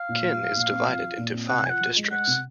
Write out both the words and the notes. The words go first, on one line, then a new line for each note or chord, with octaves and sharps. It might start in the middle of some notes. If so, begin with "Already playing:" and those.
Kin is divided into five districts.
Already playing: F5
A#2
F3
F3
A#2
C4
F3
F3
A#2
C4
C3 F#5
F3 G#5
F#5
F3
G#3
G#3 F#5
C3